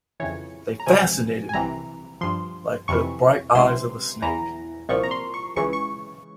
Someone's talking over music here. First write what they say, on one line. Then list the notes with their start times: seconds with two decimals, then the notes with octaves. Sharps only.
They fascinated me like the bright eyes of a snake.
0.20 F2 C#3 E3 C#5
0.80 A#5
0.86 C#2 C3 F3 G#5
1.49 G#5
1.53 C2 C3 E3 A#5
2.21 G2 F3 C6
2.88 F2 C3 E3 C#6
3.55 C#2 C3 E3 C6
4.22 E2 E3 A#5
4.88 C2 A#2 F3 C#6
5.03 A#5
5.11 C6
5.34 C#6
5.56 C#2 C#3 E3 C#6
5.73 C#6